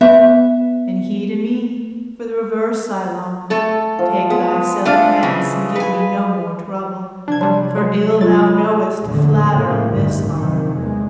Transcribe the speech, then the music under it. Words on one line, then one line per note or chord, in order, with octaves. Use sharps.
And he to me: "For the reverse I long; Take thyself hence, and give me no more trouble; For ill thou knowest to flatter in this hollow."
B3 E5
A3 A4
F3
G#3 B3
A3 D4 F5
A#2 C#3 E3
B4 G#5
C3 F3 D4 G#6
F#3 G3 D4 A5 C6
F#3 G#3
F#3 F4 A6
B5
A#1 E2 A2 D3
A2 C#3 A#3
A1 D2 G2 D#3
A#1 F#2 C3 D#3
E2 G#3